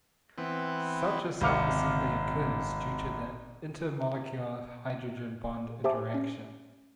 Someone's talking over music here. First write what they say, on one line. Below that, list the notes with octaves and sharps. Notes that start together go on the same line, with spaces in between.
Such a self-assembly occurs due to the inter-molecular hydrogen bond interaction.
E3 B3 C4
G#1 C3 F5 D6 F6 C#7
G4 C5 E5 G#5 A5 D6
C#4